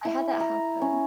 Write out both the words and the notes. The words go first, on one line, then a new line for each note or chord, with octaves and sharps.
I had that happen
E4
A#5
C#4